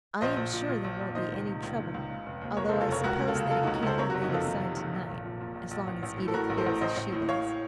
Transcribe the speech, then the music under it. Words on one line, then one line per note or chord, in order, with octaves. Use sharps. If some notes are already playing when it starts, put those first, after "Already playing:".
"I am sure there won't be any trouble, although I suppose that it can't be laid aside to-night, as long as Edith feels as she does."
A#1 C5 D#5
A#1
A#2
A#2
A#1
A#1
D#3 C5 D#5
C#2
C3
C#2
D#3
C#2
C#3
F1
D#2
F1 A#4 C#5
C#3 A4 C5
F4 A4
F1 A#4 C#5
C#2 F#4 A#4
C#2
F4 A4
C#3
C#3 F4 A4
C#2 D#4 F#4
D#4
C#2 A4 C5
C3 A#4 C#5
F#1 F#4 A#4
D#4 F#4
F2 F4 A4
D#3
C3
F#1
A#1
A#1
A#2
A#2
A#1
A#1
A1
A1
A2
A4
A2 F#4 A#4
A1
A4 C5
A1
A1 C5 D#5
A1
A2
A2 C#5 F5